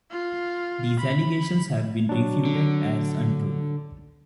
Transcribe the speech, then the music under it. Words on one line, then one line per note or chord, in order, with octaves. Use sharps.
These allegations have been refuted as untrue.
F4
B5
F#3 D4
D3